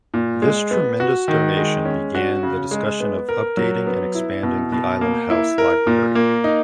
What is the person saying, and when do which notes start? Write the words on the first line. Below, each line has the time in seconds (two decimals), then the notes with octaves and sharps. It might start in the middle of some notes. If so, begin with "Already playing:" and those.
This tremendous donation began the discussion of updating and expanding the Island House Library.
0.14 A#2
0.42 G#3
0.71 B3
1.00 F#4
1.28 D#3
1.57 G#3
1.85 C#4
2.15 F#4
2.43 C#3
2.71 G#3
3.00 B3
3.29 A#4
3.57 F#3
3.87 B3
4.15 E4
4.43 B2
4.72 B2
5.01 A#3
5.30 E4
5.58 A#4
5.87 A#2
6.15 A#3
6.44 D#4